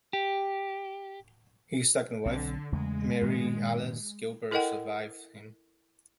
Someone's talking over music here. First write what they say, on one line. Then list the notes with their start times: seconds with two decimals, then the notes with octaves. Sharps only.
His second wife, Mary Alice Gilbert, survived him.
0.13 G4
2.25 B1 D3 C4
2.72 E2 C#3 G#3 A3
3.22 G2 A#2 D#3
4.51 E4 A4 A#4 D#5 F#5 G5